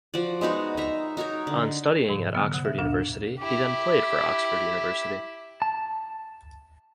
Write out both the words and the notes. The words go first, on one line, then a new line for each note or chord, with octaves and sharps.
On studying at Oxford University he then played for Oxford University.
F3 F#4 D5
G#3 B3 D#4 F#4
D#4 E5 A#5
D#4 F#4 A#4 C#5
D3
G#2 C3 F3
D3 F#3 B3
C3 F#5 D#6 F#6
E5
D2 G2 A#2 D4
E4 G4
A5